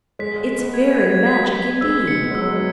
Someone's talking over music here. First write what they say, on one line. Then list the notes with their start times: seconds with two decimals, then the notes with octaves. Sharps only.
It's very magic indeed.
0.19 G#3 B6
0.46 B6
0.59 B3
0.74 G#6
1.00 G#6
1.26 B6
1.54 B6
1.81 G#3 E6
2.07 C#7
2.21 B3
2.31 G#3 E6
2.41 F#3
2.51 G#3